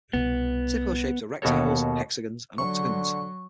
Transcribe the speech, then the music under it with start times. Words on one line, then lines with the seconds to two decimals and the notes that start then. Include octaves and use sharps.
Typical shapes are rectangles, hexagons, and octagons.
0.13 C2 B2 B3
1.42 D#2 B2 F#4 A4 C#5
2.58 D3 F#3 C#6